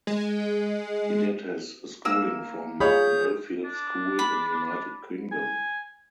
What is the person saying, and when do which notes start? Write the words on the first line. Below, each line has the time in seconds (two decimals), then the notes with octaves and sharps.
He did his schooling from Millfield School in United Kingdom.
0.07 G#3
2.05 A#3 E6
2.80 F4 G#4 C#5 B5 D#6 G6
3.64 D4
4.19 B5
5.32 G#5